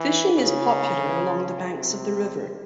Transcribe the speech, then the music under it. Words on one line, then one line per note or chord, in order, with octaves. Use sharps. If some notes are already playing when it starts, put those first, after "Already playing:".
Fishing is popular along the banks of the river.
Already playing: E3
C#3
C3